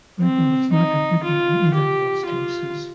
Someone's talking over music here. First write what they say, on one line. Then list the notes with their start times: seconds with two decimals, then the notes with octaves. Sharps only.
Franklin was not convicted in either of those cases.
0.21 C4
0.73 D#4
1.24 F4
1.74 G4
2.26 F4